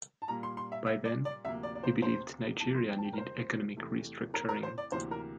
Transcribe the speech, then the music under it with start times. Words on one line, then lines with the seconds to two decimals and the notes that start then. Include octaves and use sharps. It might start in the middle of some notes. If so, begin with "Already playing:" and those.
By then, he believed Nigeria needed economic re-structuring.
0.22 A5
0.28 A#2 G3 A#3 A#5
0.43 C6
0.57 C6
0.72 E5
0.86 E5
1.05 D5
1.25 D5
1.44 D2 C3 F3 A#3 E5
1.63 D5
1.75 D5
1.84 C5
2.02 C5
2.60 F2 E3 G3 A#3 A5
2.75 C6
2.89 G5
2.98 A5
3.04 G5
3.13 A#4
3.18 C5
3.76 E2 C3 E3 A3
4.34 A#4
4.49 A#4
4.63 C5
4.78 D5
4.92 D2 C3 E3 A#3 C5
5.11 A#4